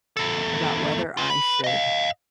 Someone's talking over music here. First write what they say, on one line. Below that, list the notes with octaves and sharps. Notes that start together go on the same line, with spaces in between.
about whether I should
E2 A4
F4 B4
B4 B5
D#5 F5